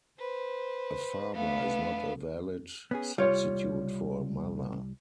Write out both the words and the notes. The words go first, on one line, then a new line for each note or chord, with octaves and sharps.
A father is not a valid substitute for a mother.
B4 C5
A3 B3 D4 B4 F5
B3 C#4 G#4
C2 G3 F4 C#5